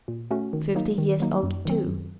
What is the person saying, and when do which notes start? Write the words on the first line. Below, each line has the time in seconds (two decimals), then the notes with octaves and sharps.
Fifty years old, too!
0.08 A#2
0.31 A3 C#4 F#4
0.53 D#3
0.75 F#3 A#3 D#4
0.98 D#3
1.20 F#3 A#3 D#4
1.43 F#2
1.65 D#3 F#3 C4
1.88 F#2